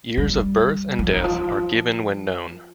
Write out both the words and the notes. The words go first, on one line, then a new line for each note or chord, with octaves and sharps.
Years of birth and death are given when known.
G3
F3
D#3
F3